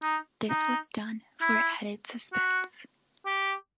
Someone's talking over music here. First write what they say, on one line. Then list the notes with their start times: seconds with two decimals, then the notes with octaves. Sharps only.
This was done for added suspense.
0.03 D#4
0.49 D#4
1.41 E4
2.33 F#4
3.26 G4